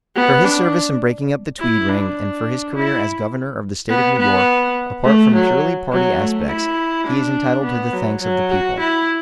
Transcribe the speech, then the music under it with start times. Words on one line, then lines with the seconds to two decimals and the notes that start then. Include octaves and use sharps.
For his service in breaking up the Tweed ring, and for his career as Governor of the State of New York, apart from purely party aspects, he is entitled to the thanks of the people.
0.16 B3
0.45 D4
1.60 E4
1.88 D4
2.75 E4
3.89 B3
4.19 B3
5.05 A3
5.34 F#3
5.92 F#3
6.20 A3
6.49 E4
7.07 D4
7.64 B3
7.93 F#3
8.22 F#3
8.51 F#4
8.80 E4